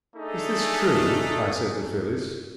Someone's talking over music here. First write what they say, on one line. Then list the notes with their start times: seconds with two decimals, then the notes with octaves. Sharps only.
"Is this true?" I said to Phyllis.
0.16 A3 D4 D#4 G#4 A4